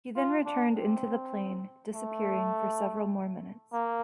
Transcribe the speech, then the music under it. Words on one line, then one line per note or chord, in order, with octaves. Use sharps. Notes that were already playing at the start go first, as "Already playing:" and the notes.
He then returned into the plane, disappearing for several more minutes.
F4
D4
C4
A3
A#3